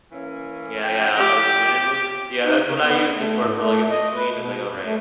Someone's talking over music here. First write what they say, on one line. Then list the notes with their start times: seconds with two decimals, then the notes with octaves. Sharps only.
Yeah, yeah, I legitimately yeah, that's what I used it for for like, in between, it was, like, "Alright."
0.12 E3 A#3 C#4
0.84 F3 G5
1.17 G4
2.45 D#4
2.64 C#3
2.82 B3
3.15 A3
3.39 A2
3.59 A3
3.90 D#5
4.15 B4
4.33 B2
4.54 B2
4.72 F#2
4.84 A3